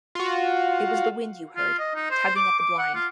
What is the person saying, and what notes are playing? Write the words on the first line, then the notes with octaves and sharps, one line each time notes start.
It was the wind you heard, tugging at the blind.
F4 F#4
F4
D#5
D#4
C5
D6
D6
F#5
F4